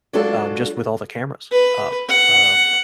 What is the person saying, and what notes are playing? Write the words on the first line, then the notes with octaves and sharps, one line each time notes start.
Um, just with all the cameras up, uh,
F#3 G#3 D4 F4 F#4 A4
B4
F#5